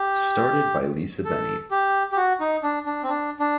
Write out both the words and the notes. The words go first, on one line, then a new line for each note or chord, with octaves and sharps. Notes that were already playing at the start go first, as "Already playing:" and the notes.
Started by Lisa Bennie.
Already playing: G4
A4
G4
G4
F#4
D#4
D4
D4
C4
D4
D4